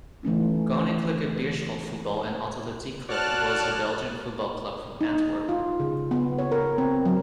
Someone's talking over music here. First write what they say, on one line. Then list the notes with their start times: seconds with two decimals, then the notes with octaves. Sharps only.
Koninklijke Beerschot Voetbal en Atletiek Club was a Belgian football club from Antwerp.
0.23 E3 A3 C#4 D#4
3.09 F#4 C#5 D5 A5 F6 F#6
5.01 D#4
5.49 F4
5.80 C#3
6.11 B3
6.39 C#5
6.52 A#4
6.78 C4
7.06 F#3